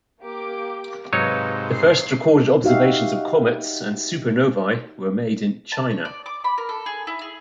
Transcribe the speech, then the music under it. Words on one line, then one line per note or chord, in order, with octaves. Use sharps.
The first recorded observations of comets and supernovae were made in China.
A#3 G4 D6
G#2 C3 F#3 D#4 B4 C#5 F5
C7
D#4 F#4 G4 E5 F5
A5
C#5
D5
D6
B5
A#4
A4
G#4
E4
G#4